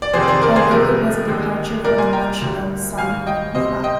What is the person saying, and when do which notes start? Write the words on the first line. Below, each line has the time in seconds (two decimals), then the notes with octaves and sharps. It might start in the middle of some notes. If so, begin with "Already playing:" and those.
Although it was a departure from the much-loved sound of Viva!
0.02 D5
0.13 F2 C3 D#3 G#4 C5
0.23 D5
0.28 G#4 C5
0.42 A#4 D5
0.56 G#4 C5
0.70 C2 C3 F3 G#3 A#4
1.28 D#2 D3 G#3
1.84 C2 A#2 G3 A#4 D5
1.98 G#5 C6
2.13 G5 A#5
2.42 D2 D3 G3
2.98 G#1 G#2 G3 F5 G#5
3.27 D#5 G5
3.55 D2 C3 G3 C5 D#5
3.84 D#5 G5